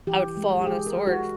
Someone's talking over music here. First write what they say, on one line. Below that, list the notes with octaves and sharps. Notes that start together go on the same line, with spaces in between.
I would fall on a sword f
E3 G4
G#3
G4
G#3 G#4
A#4
G#3
F#4